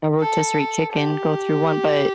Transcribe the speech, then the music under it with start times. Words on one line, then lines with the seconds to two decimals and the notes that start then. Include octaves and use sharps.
A rotisserie chicken go through one, but
0.20 A4
0.93 G4